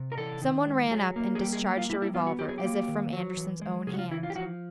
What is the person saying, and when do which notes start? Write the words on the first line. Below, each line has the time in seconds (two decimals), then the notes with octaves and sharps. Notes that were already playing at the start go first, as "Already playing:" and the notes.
Some one ran up and discharged a revolver as if from Andersen's own hand.
Already playing: C3
0.12 A#4
0.17 E3 A4
0.42 D#3
0.67 G#3
0.91 F#3 G#4
1.16 A#3
1.35 G#4
1.41 G3 G4
1.53 G#4
1.65 A#3
1.77 F4
1.90 G3 E4
2.02 E4
2.14 B3 F4
2.27 F#4
2.39 F#3 G4
2.48 G#4
2.58 G4
2.63 A#3
2.88 D#3
3.13 F#3
3.37 E3
3.62 G#3
3.87 C#3 G#4
3.94 F#4
3.99 F4
4.11 E3 E4
4.23 F4
4.30 G4
4.35 F3 F#4